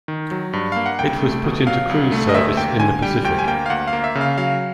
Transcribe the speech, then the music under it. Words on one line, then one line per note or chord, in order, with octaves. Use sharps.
It was put into cruise service in the Pacific.
D#3
F#3
G2
A#3 F5
F#5
C2 G5
A3
B2
F#3 F5
C2
A3
D#5
D2 E5
A#3 G5
D3 G#5
G3 G5
D2 G5
G#5
A#3 G5
F5
D2 F#5
F5
A#3
E5
C#3
F5
F#3 F5